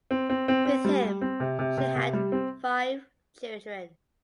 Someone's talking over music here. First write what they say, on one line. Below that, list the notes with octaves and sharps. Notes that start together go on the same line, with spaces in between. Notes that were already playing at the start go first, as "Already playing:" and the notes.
With him she had five children.
C4
C4
C4
C4
G3
G3
C4
C3
C3
C3
C3
G3
C4